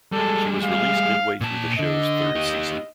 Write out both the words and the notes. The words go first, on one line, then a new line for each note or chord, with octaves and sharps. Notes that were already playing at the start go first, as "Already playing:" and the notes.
She was released midway through the show's third season.
G3 G#3 A4
F5
A#2 A5
D3 D#5
D#4 G4